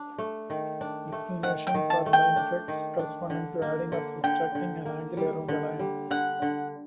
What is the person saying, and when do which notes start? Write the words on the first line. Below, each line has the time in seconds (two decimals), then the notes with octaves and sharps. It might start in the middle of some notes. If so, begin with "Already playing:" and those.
Disclinations are line defects corresponding to "adding" or "subtracting" an angle around a line.
Already playing: D4
0.18 A3
0.50 D#3
0.81 D4
1.12 A3
1.43 D#3 F#5
1.67 G5
1.74 D#3
1.90 A5
2.06 A3
2.13 G5
2.36 D4
2.68 D#3
2.99 D4
3.30 D3
3.62 A#3
3.92 D3
4.24 D3 G5
4.55 D3
4.85 A#3
5.17 G3
5.48 D3
5.79 G3
6.10 D3 F#5
6.42 D3